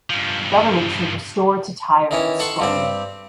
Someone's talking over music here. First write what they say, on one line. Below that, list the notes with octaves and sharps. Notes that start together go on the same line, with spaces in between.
The government should restore to Tyre its splendor.
G2 F3
D#3 E3 C#4
A4 F#5 A5 C6 C#6
G2 G3 C4